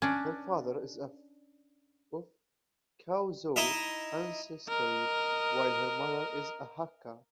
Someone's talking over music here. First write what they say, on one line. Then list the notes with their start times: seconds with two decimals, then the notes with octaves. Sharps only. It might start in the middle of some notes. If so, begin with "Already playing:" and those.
Her father is of Chaozhou ancestry while her mother is a Hakka.
0.02 C#4 D4
3.56 D#4 E4 D#5 E5
4.68 A#4 D#5